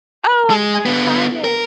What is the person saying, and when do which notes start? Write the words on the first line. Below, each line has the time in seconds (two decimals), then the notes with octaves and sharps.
Oh, I'm so excited.
0.50 G#3
0.86 D3 B3
1.44 A#4